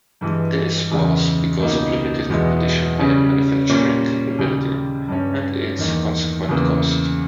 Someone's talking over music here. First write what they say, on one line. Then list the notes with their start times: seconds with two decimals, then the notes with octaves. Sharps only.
This was because of limited competition in manufacturing capability and its consequent cost.
0.21 G2 E3 G#3
0.91 E2 C#3 E3 G#3
1.60 C#2 B2 A#3 D#4
2.29 E2 B2 G#3 B3 E4
2.99 C#3 G3 C#4
3.69 A#2 G3 A#3 C#4
4.39 D#2 C#3 G3
5.08 G2 G3 C#4
5.78 E2 D#3 A#3
6.48 E2 C#3 E3 A#3